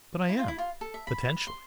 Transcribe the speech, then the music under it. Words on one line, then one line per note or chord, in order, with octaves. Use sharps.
"But I am, potentially."
E4
F4
E4
F4
A4
E5
B5
C6